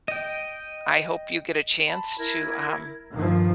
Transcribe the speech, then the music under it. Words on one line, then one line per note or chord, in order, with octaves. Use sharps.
I hope you get a chance to um
D#5 G5
A5 B5 C6
E4 A#4 G#6
G2 D#3 F3 F5